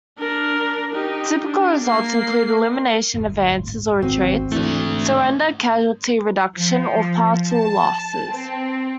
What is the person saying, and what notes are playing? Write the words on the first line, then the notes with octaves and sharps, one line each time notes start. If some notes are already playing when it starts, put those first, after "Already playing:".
Typical results include elimination, advances or retreats, surrender, casualty reduction, or partial losses.
D4 A#4
D#4 G4
D4
A#3 C7
D1 G1 A2
G#1 D2 D#3 C4 F#4
G#2 E3 A3 D4
F3
A5
C4